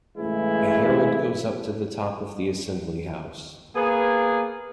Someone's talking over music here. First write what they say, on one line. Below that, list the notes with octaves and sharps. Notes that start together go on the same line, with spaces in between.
A herald goes up to the top of the assembly-house.
A2 C#3 E3 G#3 E4
A#3 B3 G#4